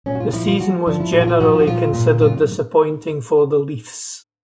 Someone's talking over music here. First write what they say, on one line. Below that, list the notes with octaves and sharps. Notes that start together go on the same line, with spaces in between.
The season was generally considered disappointing for the Leafs.
A#2 C#4
F#4
F4
F3 E4
F4
F3 F#4
F3 D4
E4
A#2 E4
F#4
F4
F3 F#4
F4
F#4
A#2 F4
A#2
F#2 F4